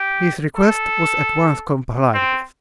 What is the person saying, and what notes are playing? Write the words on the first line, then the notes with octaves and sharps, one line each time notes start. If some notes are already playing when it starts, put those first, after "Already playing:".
His request was at once complied with.
Already playing: G4
A4
C4